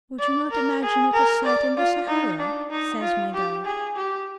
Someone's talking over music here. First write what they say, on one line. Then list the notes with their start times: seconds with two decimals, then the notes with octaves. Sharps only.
"Would you not imagine it a site in the Sahara?" says my guide.
0.19 D5
0.51 A#4
0.82 G#4
1.13 A#4
1.45 D5
1.77 F4
2.08 D#4
2.39 D4
2.70 D#4
3.01 F4
3.34 G4
3.65 G#4
3.96 G4